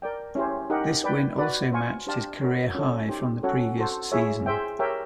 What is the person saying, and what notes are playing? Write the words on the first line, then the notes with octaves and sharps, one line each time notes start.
This win also matched his career high from the previous season.
A#4 D5 G5
C#4 E4 G4 C5
D#4 G4 A#4 D#5 F#5
B4 D5 G5 B5
F#4 B4 D5
C5 F5 G#5 C#6
D4 G4 C5 F5 A5
F#4 A#4 C#5
C#4 F4 A4 C#5
D#4 G4 C5
C#4 F#4 A4 C#5
F#4 A4 C5
E4 G#4 C#5 E5
G#4 C5 E5 G5
G4 A#4 C#5 E5 G5